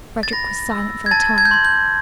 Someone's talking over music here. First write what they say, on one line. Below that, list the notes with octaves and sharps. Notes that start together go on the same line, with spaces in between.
Frederick was silent for a time.
A6
B5 A#6
E6
G#6
A5 A6
G#6
G6
C6 G#6
G6